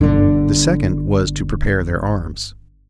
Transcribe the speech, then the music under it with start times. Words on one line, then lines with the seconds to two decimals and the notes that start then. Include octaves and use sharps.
The second was to prepare their arms.
0.01 G1 D3